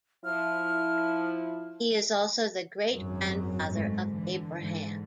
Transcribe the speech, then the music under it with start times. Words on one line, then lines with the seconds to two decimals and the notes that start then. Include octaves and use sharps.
He is also the great-grandfather of Abraham.
0.25 F3 E4 F6
2.93 G#1 F#2 F#3
3.68 G#2 A3
4.07 D3 E3
4.57 G#2 E3